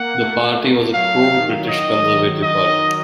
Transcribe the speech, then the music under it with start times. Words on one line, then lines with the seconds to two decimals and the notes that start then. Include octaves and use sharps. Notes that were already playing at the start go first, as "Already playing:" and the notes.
The party was a pro-British conservative party.
Already playing: A#3 F#5
0.20 A3
0.94 F#3 F5
1.32 D#3
1.69 D#5
2.43 D#5